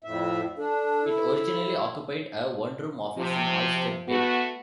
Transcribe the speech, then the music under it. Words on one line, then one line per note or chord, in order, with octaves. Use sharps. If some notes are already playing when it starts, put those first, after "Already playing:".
It originally occupied a one-room office in Oyster Bay.
F2 A2 E5
D4 A4
E4
C3 F3
A3 B3 F#4